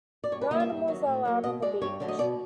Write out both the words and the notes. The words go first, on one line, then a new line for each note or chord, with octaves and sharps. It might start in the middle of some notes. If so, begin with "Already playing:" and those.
No animals are allowed on the beach.
D5
G2 C#5
B4
D3 G3 A#3 D#5
E5
G2
D#3 F#3
A2
F#3 A#3
B2 D#5
G#3 D5
G2 C#5
D3 F#3 A3
D#5
B2 D5